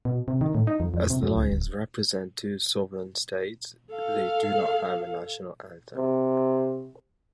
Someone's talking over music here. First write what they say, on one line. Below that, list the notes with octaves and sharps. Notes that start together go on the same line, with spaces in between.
As the Lions represent two sovereign states, they do not have a national anthem.
B2
C3
D#3
A2
D#4
F2
F2
C3
F#2
C#2
D1
A4 F5
C3